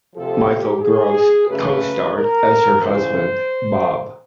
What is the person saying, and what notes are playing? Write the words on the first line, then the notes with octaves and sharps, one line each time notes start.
Michael Gross co-starred as her husband, Bob.
D2 C3 F3 A4
G4
G#4
F#2 C#3 F#3 A3 C#4 B4
A#4
D2 C#3 E3 C5